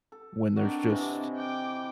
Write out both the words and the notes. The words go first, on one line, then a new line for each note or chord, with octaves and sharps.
when there's just
A4
D#3 C4 D4 F#4
C3 E3 D#5
G5 D6